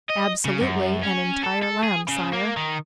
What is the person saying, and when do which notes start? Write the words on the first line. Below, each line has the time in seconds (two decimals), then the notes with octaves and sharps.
"Absolutely an entire lamb, sire."
0.09 D#5
0.45 C#3
0.61 F#2
1.03 C#4
1.43 A4
1.62 A4
1.83 G#4
2.08 C#3
2.33 A#3
2.57 D#3